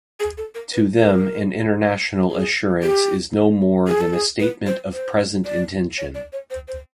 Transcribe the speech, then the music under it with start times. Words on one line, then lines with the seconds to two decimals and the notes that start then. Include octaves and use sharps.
To them an international assurance is no more than a statement of present intention.
0.20 G#4
0.38 A4
0.55 A#4
0.73 B4
0.99 A#4
2.30 G#4
2.83 G4
3.87 G#4
4.01 A4
4.14 G#4
4.40 B4
4.67 C5
4.93 C5
5.45 D5
5.98 C#5
6.15 D5
6.33 C#5
6.51 C5
6.68 C5